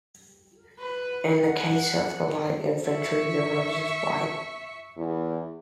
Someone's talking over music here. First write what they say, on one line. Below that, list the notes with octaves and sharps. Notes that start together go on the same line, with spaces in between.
In the case of the Light Infantry, the rose is white.
B4
F#5
E5 C#6
E2